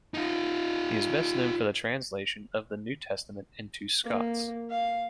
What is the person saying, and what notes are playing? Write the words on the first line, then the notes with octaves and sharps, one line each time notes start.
He is best known for the translation of the New Testament into Scots.
D#4 F4
A#3
F5